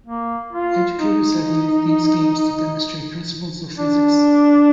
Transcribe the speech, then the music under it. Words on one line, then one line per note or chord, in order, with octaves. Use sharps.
Educators have used these games to demonstrate principles of physics.
A#3
F4
D#4
D4